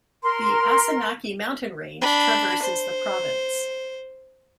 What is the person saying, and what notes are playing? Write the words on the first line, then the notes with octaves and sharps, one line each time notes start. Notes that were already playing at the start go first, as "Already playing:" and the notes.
The Asanaki mountain range traverses the province.
A#4 C6
D4 B5
C5